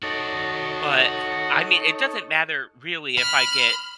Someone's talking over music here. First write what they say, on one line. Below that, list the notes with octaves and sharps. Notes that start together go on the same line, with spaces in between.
but I mean, it doesn't matter really if I get,
D#4 F#4 A4 C#5 D5
B5 F6